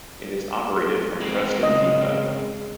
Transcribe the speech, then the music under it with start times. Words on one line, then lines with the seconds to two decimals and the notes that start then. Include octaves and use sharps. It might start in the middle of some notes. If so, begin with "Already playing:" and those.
It is operated from Preston depot.
1.21 G#3 C4
1.63 C#3 D#5